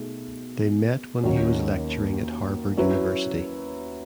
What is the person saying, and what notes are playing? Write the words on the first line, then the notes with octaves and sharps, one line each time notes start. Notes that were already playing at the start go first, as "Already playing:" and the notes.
They met when he was lecturing at Harvard University.
Already playing: B2 A3 D#4 G#4
D#2 D#3 F#3 C#4 F#4
F#3 C#4 E4 B4